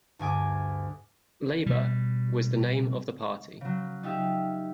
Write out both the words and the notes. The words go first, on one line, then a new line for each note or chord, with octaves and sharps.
"Labour" was the name of the party.
D2 G2 G#5 D6
B2 G3
C#3 F#3
D#4 F4 G4 E5